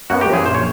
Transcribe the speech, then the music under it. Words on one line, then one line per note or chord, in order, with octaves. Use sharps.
Oh, well!
F#2 F#4
G4
F#2
G#4
A#1 C5
C#5